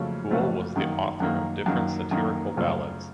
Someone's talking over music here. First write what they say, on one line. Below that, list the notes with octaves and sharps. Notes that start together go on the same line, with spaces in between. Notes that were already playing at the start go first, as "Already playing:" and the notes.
Poole was the author of different satirical ballads.
Already playing: F2 C#3 F#3 A3 C4
F2 C#3 F#3 A3 C4
F#2 D#3 A#3
F#2 D#3 A#3
F#2 D#3 A#3
F#2 D#3 A#3
F#2 C#3 A3 C4 F4